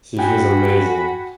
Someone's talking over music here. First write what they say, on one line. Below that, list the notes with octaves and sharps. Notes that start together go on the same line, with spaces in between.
Sushi is amazing,
F#4 G5 G#5 B5